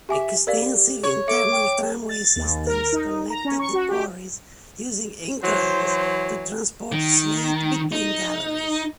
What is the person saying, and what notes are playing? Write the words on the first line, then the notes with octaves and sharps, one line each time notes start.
Extensive internal tramway systems connected the quarries using inclines to transport slate between galleries.
G4 E5 G#5 D6
G4 A#4 D5 F5
C#5 C#6
A4 E5 D6 C#7
G5
A6
D#2
A#4
D#4
A#5
C#4
C#6
F#4
G4
E3 F#3 C5
D#3
D#4